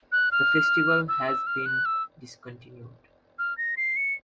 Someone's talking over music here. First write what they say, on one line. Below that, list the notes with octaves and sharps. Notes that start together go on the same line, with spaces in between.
The Festival has been discontinued.
F#6
F6
E6
E6
F6
F#6
E6
F6
A#6
C7
C#7